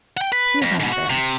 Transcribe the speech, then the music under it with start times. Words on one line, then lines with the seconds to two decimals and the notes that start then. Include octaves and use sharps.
We went there.
0.17 F#5 G5
0.32 B4
0.62 F2
0.80 G#2 B2
0.92 F#4
1.10 C3